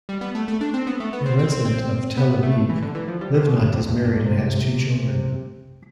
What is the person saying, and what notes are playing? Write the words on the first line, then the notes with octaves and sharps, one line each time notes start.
A resident of Tel Aviv, Livnat is married and has two children.
G3
B3
A3
A3
D4
C4
B3
A3
B3
C4
C4
C4
C4
B3
A3
E3
D3
E3
F3
G3
C3
B2
G2
F2
E2
G2
A2
C3